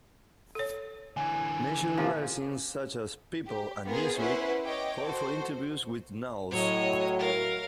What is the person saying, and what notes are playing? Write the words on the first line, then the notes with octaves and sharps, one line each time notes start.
National magazines such as "People" and "Newsweek" called for interviews with Knowles.
A4 C#5
D3 E3 G#5
C3 F3 A#3
G4
B3 F4 G#4 A#4
C#4 E4 B4 C5 F#5
C#5 D#5 G5 D6
F#4 A4 C5
A2 F#3 C#5 D#5
A#4 F5